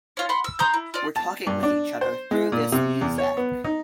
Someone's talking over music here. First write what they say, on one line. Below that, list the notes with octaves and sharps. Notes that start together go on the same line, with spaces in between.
We're talking with each other through this music.
C#4 F4
F#5 B5 C6
E6
A#5 C6 D#6 G6
E4
F4 D5
A5
G2
D4
C5
G#3
A#2
C3
E2
C#5
B3
D#4